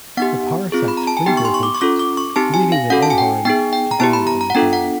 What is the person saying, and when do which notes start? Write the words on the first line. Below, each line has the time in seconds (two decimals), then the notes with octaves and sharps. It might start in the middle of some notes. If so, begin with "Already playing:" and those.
The parasites flee their hosts, leaving them unharmed, to die on the ground.
0.17 B3 D#4 G4 F#5
0.72 C4 F4 G#4
0.88 B5
0.97 A#5
1.07 A5
1.17 G#5
1.26 B3 D#4 G4 G5
1.37 C#6
1.45 C6
1.54 C#6
1.63 D6
1.75 C#6
1.81 C#4 F4 A4 D6
1.99 D6
2.17 C#6
2.36 C4 D#4 G4 A5
2.54 G#5
2.72 F5
2.90 C#4 F#4 A4 F#5
3.02 A5
3.10 G#5
3.18 G5
3.45 B3 D#4 G#4 G5
3.73 G5
3.91 A#5
4.00 B3 E4 G4 A5
4.13 B5
4.27 A#5
4.41 A#5
4.50 F#5
4.55 B3 D4 F4 A4 G5
4.73 F#5